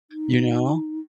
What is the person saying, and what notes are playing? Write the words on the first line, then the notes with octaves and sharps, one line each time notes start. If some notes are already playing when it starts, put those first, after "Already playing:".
you know?
D#4